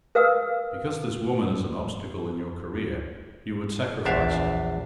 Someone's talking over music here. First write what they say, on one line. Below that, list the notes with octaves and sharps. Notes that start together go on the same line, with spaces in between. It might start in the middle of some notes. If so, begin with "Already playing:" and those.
Because this woman is an obstacle in your career, you would sacrifice her.
A#4 B4 F5 D#6 E6
A#1 E2 D4 E5 F5